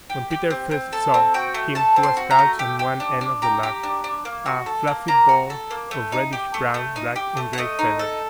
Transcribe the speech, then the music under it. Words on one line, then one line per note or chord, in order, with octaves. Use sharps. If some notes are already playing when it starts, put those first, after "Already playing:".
When Peter first saw him he was crouched on one end of the log, a fluffy ball of reddish-brown, black and gray feathers.
G4
G4
C4
C4
A4 A5
C4
F#4 G5
A3
A4 A5
C4
C6
F#4
A#5
A3
G4
G4
D4
D4
G4 A#5
G4
D4
D4
A#3
F#4
A4
A#3
A#3 A#5
F#4
A4
A#3
A3
D#4
G4
A3
A3
D#4
G4
A3
F#5
A3 D#5
D#4
A4